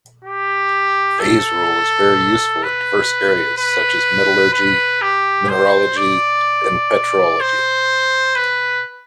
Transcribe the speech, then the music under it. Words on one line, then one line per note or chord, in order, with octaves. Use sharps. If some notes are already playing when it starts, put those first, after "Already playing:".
Phase rule is very useful in diverse areas, such as metallurgy, mineralogy, and petrology.
G4
A4
B4
B4
B4
G4
C5
D5
C5
B4